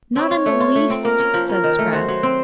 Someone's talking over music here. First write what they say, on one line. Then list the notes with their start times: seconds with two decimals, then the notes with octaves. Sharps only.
"Not in the least," said Scraps.
0.16 C4 C#5
0.31 F4
0.46 A3
0.61 F4
0.75 A3
0.90 C4
1.05 A#3 A#4
1.20 C#4
1.34 F3
1.49 C#4 A#4
1.64 D#3
1.79 A3
1.93 F#4 C5
2.08 F#3
2.23 C4